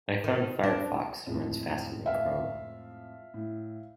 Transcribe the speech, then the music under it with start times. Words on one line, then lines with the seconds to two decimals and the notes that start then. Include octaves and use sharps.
I've found Firefox runs faster than Chrome.
0.24 D#3
0.63 D4
1.26 F2 A2 G#3
2.06 E5 F5
3.34 A2